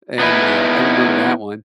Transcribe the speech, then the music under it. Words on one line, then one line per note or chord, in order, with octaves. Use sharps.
and, uh, I remember that one,
B3 D#4 E4 B4